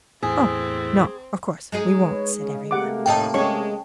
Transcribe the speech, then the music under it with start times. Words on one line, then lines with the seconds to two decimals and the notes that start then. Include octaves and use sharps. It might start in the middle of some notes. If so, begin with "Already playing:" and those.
'Oh, no, of course we won't!' said everyone.
0.23 E2 A2 C4 E4 G#4
1.72 G#3 D#4 G#4
2.06 B4 C#5
2.40 C#3
2.71 C3 A3 A#3 G4 F#5 D6
3.06 D#2 A2 D#4 G5 A5
3.34 G#3 C#4 C#5 C#6